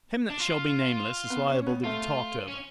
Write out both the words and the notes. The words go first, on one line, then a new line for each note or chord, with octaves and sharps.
Him that shall be nameless is liable to be talked over.
D4
F4
B3
C#4
C#4
B3
A3 F4
C#4